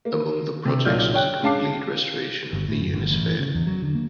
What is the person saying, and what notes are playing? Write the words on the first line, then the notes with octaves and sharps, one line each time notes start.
Among the projects was a complete restoration of the Unisphere.
A#3
C3
B1 A#2 D5 F6 G6
C#5 G5 F#6
G#3 C#4 F5 A5 D6 C7
G1
A2
F#2
G1
A1
E3
C#3
E2
F#3
D3
A#3